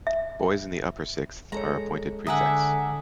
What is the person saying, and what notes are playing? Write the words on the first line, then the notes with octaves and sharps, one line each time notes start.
Boys in the upper sixth are appointed prefects.
E5
G#3 A4 C#5 A#5
D3 E5 F#5 G#5 A#5 D#6